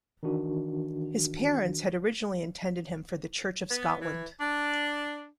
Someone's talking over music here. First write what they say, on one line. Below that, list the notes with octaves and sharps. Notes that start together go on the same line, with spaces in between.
His parents had originally intended him for the Church of Scotland.
D#3 E3 D4 F#4
B3
E3
D4